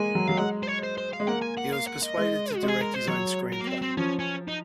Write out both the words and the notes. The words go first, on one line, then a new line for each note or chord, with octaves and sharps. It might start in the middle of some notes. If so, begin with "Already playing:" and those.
He was persuaded to direct his own screenplay.
Already playing: G#3 A#3 G#5
F#3
F#3 F5
G#3 F#5
C5
C#5
C5
C5
F5
G#3
A#3 F#5
G#5
F#5
F5
F#5
D#5
G#3
F#4
G#3
G#4
A#4
C5
F#3 C#5
A#4
A#3
C4
C4
F3 C#4
C#4
D#4